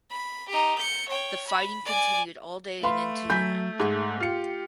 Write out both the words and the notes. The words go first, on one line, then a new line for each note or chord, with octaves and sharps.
The fighting continued all day and into the night.
B5
D#4 G4
G6 C#7
C#5 G5
B5
D5 G#5
A3 B4 F5 B5 C6
F#3 G#5 B5 G6 B6
G#2 G#4
F4 G4 C#7